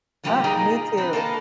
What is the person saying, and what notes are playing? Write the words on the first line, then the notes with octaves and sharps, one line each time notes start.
Uh, me too.
B2 F3 G3 A#3 F4 G4
A#2 D#4 G#4 A#4 D#5 G5
E3 C4
A#3 A4 A#4 C5 D#5 A5